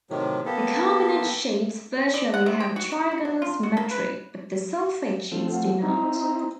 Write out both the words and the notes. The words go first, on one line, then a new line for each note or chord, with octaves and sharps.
The carbonate sheets virtually have trigonal symmetry, but the sulfate sheets do not.
A2 C3 D#3 F#3
A#3 B3 G4 A4
D5
F#5
C3
G5
F#4
F#4
F#4
F#3
F4
F#4
A#3
B4
F3 A3 C4
F#5
C4 D#4 E4 A#5